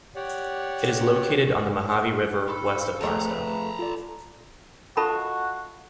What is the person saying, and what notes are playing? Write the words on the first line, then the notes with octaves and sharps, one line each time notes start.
It is located on the Mojave River, west of Barstow.
G4 C#5 D5 F#5
D#4 A4 B5 C6
C5 F5
F2 A3 G#4 A5 A#5
B4 B6
F4 A4 D5
F4 F#4 A4 D#5 A5 B5